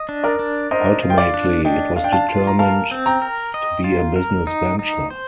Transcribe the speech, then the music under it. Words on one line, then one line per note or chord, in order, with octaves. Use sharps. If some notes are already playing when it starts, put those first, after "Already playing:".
Ultimately, it was determined to be a business venture.
Already playing: D#5
D4
A#4 D5
D4
A#4 C5 D#5
F4
G5
D5 F5
D4
D4 D#5 G5
D4 F5
G5
F5 A5
F4
A#5
A#4 F5 A5
C4
G5 A#5
A#4
D#5
F4
A#4
D#4
D#4
C5